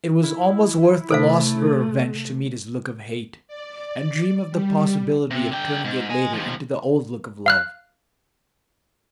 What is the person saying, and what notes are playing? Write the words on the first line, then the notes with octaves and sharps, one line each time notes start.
It was almost worth the loss of her revenge to meet his look of hate, and dream of the possibility of turning it later into the old look of love.
E4
C3 A3 A4 C5 F5
D5
G3
C3
D3 G5
G#2
D#5 G#5
D#2 F3
F5 F6 F#6